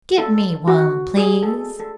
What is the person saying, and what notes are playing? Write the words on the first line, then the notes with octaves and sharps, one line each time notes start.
"Give me one, please."
A4
F#4
G#4
A4
A4